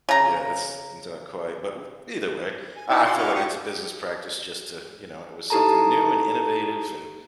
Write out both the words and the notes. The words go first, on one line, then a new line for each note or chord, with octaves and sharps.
Yeah, it's not quite, but, either way, I I feel, like, it's a business practice just to, you know, it was something new and innovative and
C#3 A#5
G#5
D#4 E4 D5
F#4 D5 F#5 C6
D4 E4 F#4 F5 C#6 D6
D4 G4 C#6 D#6
D#4 E4 G4 A4 A5 A#5